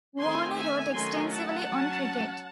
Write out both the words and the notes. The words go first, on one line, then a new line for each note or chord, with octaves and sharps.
Warner wrote extensively on cricket.
D#3 A3 C4 G#5 C6
E5 G#5
D#3 F#3 A3 C#4 G#5 C6
F#5 A5
F#3 C#4